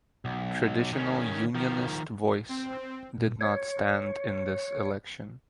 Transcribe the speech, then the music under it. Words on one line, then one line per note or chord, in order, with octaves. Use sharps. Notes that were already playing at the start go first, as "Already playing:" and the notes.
Traditional Unionist Voice did not stand in this election.
B1
D#3 C#4
D#3 F3
C4
A#2
C#5